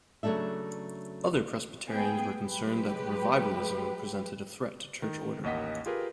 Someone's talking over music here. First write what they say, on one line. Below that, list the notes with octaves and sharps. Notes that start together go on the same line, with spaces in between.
Other Presbyterians were concerned that revivalism presented a threat to church order.
C#3 F#3 G#3 A3 D4 E5
A3 B3 G#4 G5
F#3 G#3 G4 B4
D#3
A1 D#2 A#3 D#5 F#5 B6
F4 G4 G#4 A#4 B4